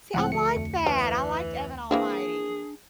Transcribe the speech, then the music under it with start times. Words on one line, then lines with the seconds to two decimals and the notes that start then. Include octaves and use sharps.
See, I liked that, I liked Evan Almighty.
0.14 C#2 A2 F3 C4 F#5
0.32 D2 A3 C#7
0.56 F2
0.86 E3 C#4
1.91 E3 A#3 C4 D4 G#4